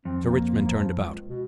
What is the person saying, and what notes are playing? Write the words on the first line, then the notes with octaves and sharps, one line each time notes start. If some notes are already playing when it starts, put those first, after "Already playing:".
Sir Richmond turned about.
F2 C4
A#3
F3
C#2
B2